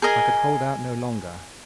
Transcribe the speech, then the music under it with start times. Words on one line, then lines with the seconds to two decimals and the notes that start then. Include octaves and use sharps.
I could hold out no longer.
0.02 G#4 A#4 D#5 G#5